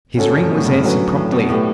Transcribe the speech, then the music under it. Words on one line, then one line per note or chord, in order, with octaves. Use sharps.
His ring was answered promptly.
C#3 A3 C#4 F#4 A4 C#5
G2
F#2
B2
A2
G2
A2
D3 F#3 C#4 F#4 B4
A2
B2
A2 A3 D4 G4 B4